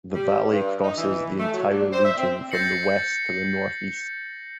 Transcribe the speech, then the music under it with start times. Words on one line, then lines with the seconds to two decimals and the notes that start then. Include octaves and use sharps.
The valley crosses the entire region from the west to the northeast.
0.15 G3
0.52 G2
0.83 D#4
0.98 E3
1.39 A3
1.53 F#3
1.71 D4
1.92 C5
2.04 E5
2.17 C4
2.51 G6 A6 A#6 C7 C#7 F#7